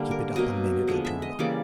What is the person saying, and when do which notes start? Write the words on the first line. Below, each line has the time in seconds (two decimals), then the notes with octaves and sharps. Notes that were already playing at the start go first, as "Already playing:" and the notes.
Keep it up a minute or two longer.
Already playing: D3 G3 A#3 G4
0.11 A#4
0.36 B2 F#3 A#3 D#5
0.87 D3 F3 G#3 B3 D#5
1.05 E5
1.22 D#5
1.39 C#3 E3 G3 A#3 D5